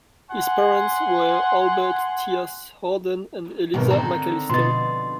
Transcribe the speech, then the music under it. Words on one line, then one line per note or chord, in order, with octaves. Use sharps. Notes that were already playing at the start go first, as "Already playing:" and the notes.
His parents were Albert Tyas Harden and Eliza Macalister.
F#5 G#5 C6
G#1 B2 D#3 B3 A#4
D3 D#3 C4 G5 A5 A#5
B2 D3 F3 B3 D#4 C6 A6